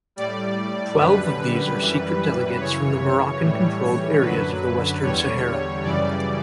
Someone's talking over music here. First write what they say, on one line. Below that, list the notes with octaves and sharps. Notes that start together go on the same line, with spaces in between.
Twelve of these are secret delegates from the Moroccan-controlled areas of Western Sahara.
A2 G3 D5
F#2 D3 G3 B4
F#2 E3 G3
F#2 C#3 E3 C#5
A2 E3 G3
F#2 D3 F#3 B4
E2 D3 G3 C#5
F#2 C#3 E3 G3 D5